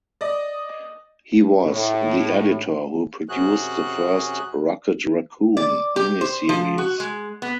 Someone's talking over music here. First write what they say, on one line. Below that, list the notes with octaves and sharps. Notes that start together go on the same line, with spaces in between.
He was the editor who produced the first "Rocket Raccoon" miniseries.
D5 D#5
A2
F#2 C3 C#4 F#4 G#4 F#6
D5
G4
C5
F3
F#4
G#3
B3